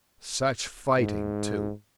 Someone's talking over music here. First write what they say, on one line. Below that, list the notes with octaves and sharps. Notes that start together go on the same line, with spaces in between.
Such fighting, too!...
G#2